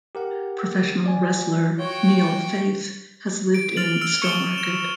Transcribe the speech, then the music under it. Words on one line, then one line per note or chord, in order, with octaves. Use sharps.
Professional wrestler Neil Faith has lived in Stowmarket.
G4 A#4 F#5
D5 G#5
F4 F#4 C#5 G5
D7
F6 A6 F7 F#7
E6 F6 D7 F7
C#6 C#7 D7 E7 G7
E7